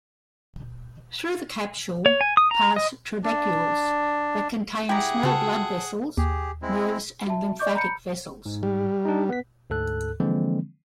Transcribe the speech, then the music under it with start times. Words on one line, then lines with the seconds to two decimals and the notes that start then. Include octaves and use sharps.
Through the capsule pass trabecules that contain small blood vessels, nerves and lymphatic vessels.
2.06 C#5
2.21 G#5
2.37 D#6
2.51 A#5
2.76 D#5
3.24 D4
4.89 E4 G4 G#4 F#5 G5 A#5
5.23 C#3 F4 F#4 A4
6.17 D#2 G4 G#4
6.62 G#3 C4 E4
7.27 F#4 E5 A5
7.59 D5 D#5 C#6 D6 G6
7.75 A#5 B5 G6 C#7
8.45 G#2
8.63 G3
9.05 D4 D#4
9.29 B3 B4 B6
9.70 D2 G#2 A4 F#6
10.20 D3 E3 F3 G#3 A#3 C4